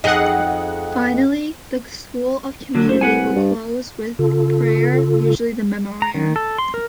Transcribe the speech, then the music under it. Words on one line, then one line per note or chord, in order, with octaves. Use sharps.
Finally, the School of Community will close with prayer, usually the Memorare.
F2 D#4 G#4 D#5 F#5
D3 F#3 D4
F#1 C5
C2 B4 F#5 G#5
G2
C#3 F4 A4
A#5
D#3
A4
C6
A#4